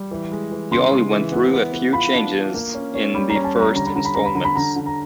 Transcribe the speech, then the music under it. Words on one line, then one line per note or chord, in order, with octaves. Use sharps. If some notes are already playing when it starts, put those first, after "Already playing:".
The Alley went through a few changes in the first installments.
Already playing: G3
E3
G#3
E3
C#3 C6
G#3
E3
B3
B3
B3
F4 B5
D4
F4
A#3
C#4
C#4
G3 B5
A#5
C#4
A5
G3 A#5
D3 A#5
B5
D3 A#5
B5
D3 A#5
B5
D3 A#5
B5
D3 A#5
D3
A#5